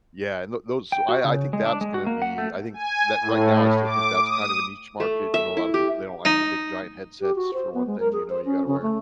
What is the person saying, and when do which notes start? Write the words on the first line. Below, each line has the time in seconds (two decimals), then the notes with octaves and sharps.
Yeah, and tho those so, I I think that's gonna be I think that, right now, I still think that's kind of a niche market. You know, a lotta people, they don't like the big giant headsets for one thing, you know, you gotta wear
0.92 G5
1.09 F#4
1.24 C#3
1.53 G#3
1.66 D4
1.81 G#3
1.94 F#4
2.06 A#3
2.22 F#5
2.38 A3
2.74 G#5
3.20 A2
3.84 D6
4.24 D#6
5.00 A3
5.34 E5
5.57 E4
5.74 G4
6.25 D#4
7.21 G4
7.35 F#4
7.54 C5
7.74 B3
7.86 G#3
8.00 A#4
8.13 G#4
8.30 C5
8.45 C#4
8.67 C#3
8.82 A3